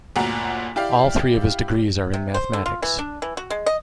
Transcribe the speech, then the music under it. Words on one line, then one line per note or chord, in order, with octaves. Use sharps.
All three of his degrees are in mathematics.
G1 D2 A#2 F#4 A#5
E4 G4 D5 F5
C3
C5
D3
F4
E3
D4
E3
F#4
G#3
D#5